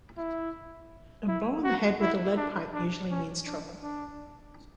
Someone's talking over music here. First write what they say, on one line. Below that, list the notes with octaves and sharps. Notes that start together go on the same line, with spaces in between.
A blow on the head with a lead pipe usually means trouble.
E4
E4
F#4
E4
D4
D4
C#4
D4
D4